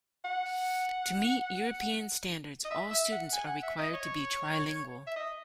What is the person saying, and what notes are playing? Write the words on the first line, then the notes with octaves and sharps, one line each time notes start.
To meet European standards, all students are required to be trilingual.
F#5
D#5
E5
E5
F#5
G#5
F#5
E5
D#5
C#5
E5
D#5